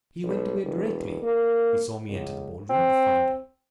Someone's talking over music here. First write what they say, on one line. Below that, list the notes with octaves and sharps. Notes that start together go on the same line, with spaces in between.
"He went away directly he saw me enter the ball-room to find you."
B1
E1
A#3
C#2
C4